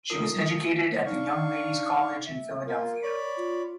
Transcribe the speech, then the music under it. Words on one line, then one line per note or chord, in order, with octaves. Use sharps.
She was educated at the Young Ladies College in Philadelphia.
D#4 F4 A4 A#4 D#6 C7
D4 D#4 F5 C#6
E5
A#3 F4 A#4
C#5 D5 B5
F4